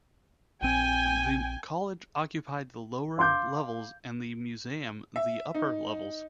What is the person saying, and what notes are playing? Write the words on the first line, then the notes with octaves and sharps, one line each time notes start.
The college occupied the lower levels and the museum the upper levels.
A#1 C4 G5 G#5 D#7
F5 C6 D6 G6
E5
D#4